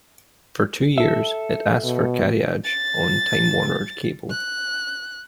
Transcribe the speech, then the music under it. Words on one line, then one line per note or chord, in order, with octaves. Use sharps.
For two years, it asked for carriage on Time Warner Cable.
A4 E5
B2
A6
F#6